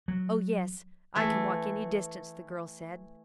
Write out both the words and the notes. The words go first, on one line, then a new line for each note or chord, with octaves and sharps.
"Oh yes, I can walk any distance," the girl said.
F#3
E3 A3